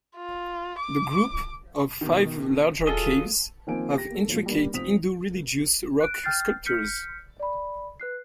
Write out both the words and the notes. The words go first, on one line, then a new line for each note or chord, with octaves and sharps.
The group of five larger caves have intricate Hindu religious rock sculptures.
F4
D6
B2 D#3
F#3 F4 G#4 A4 D#5
D#3 F3 A#3 C4 G#5 D7
G4 A#6
A#3 A4
A#2 F3 F#3
G3 A#3 D4
F1 F3 C4 D#6 B6 F7
F#6 D7
G5 F6 G6 A6 C7
F6 G6 B6 C#7
D5 B5
B4 F#6 C7